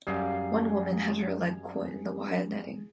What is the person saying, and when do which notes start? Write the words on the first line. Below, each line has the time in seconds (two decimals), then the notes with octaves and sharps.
One woman had her leg caught in the wire netting.
0.07 F#2 G3 G#4 F5